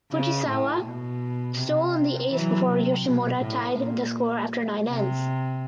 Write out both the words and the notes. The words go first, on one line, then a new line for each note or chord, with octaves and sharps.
Fujisawa stole in the eighth before Yoshimura tied the score after nine ends.
C#3
A2
B2
C3
E3 F#3
C3
B2
A2
A#2
C3